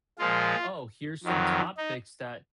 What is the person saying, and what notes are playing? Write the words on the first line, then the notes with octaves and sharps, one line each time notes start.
"Oh, here's some topics that
A#2 F3 G#3 F4
F2 D#3 F#3
D#4